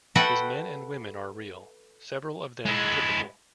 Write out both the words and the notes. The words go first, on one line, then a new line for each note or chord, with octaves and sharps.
His men and women are real, several of them typical.
F#4 A4 B4 E5 F#5 G5
G#3 E4